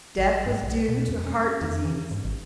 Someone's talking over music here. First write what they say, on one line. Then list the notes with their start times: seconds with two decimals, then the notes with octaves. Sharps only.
Death was due to heart disease.
0.18 A1
0.46 G#2
0.63 B1
0.88 B2
1.08 F2
1.26 C#4
1.61 F2
1.85 E3
2.11 G#2
2.24 A1